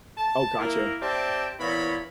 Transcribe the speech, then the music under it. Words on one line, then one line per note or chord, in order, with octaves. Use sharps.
Oh, gotcha.
A5
A#3 E4 A#4
C4 G4 D5 E5 G5 A5
A#2 E3 B3 E4 C#5 B5